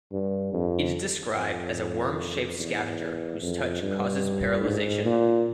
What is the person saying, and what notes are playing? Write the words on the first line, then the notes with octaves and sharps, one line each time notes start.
It is described as a worm-shaped scavenger whose touch causes paralyzation.
G2
F2
F2
E2
F2
G2
G#2
A#2